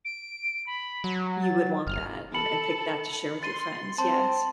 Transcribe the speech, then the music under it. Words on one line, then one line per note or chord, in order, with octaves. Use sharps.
you would want that and and pick that to share with your friends, yes.
D7
B5
F#3
A6
G1 F6
A4 B5 C#7 F#7
C6 A6 D#7
C4 C5 A5 C6